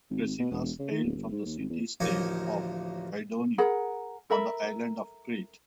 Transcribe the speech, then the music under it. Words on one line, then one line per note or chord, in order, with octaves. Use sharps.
Kresilas hailed from the city-state of Kydonia, on the island of Crete.
G#1
G#1
B2
E1
C#3
D#3
D1
G1
G#2
D#2
G#1
E2
A1 D2 F3 A#3 D#4 C#5
G#4 A#4 F#5 B5
A4 A#4 E5 B5